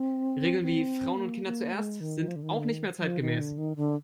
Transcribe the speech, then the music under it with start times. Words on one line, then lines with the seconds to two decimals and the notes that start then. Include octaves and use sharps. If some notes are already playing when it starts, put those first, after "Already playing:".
Regeln wie "Frauen und Kinder zuerst" sind auch nicht mehr zeitgemäß.
Already playing: C4
0.62 C4
1.17 A#3
1.45 A#3
1.73 G#3
2.01 D#3
2.28 F3
2.36 D3
2.43 D#3
2.57 D3
2.70 D#3
2.98 G3
3.03 F3
3.21 D#3
3.40 D3
3.58 D#3
3.76 D3